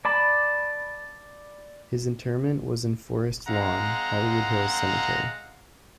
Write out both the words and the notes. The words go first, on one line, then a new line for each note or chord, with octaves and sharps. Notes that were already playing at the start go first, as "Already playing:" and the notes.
His interment was in Forest Lawn - Hollywood Hills Cemetery.
D5 A5 B5
G#3 C4 F5 F#5 A#5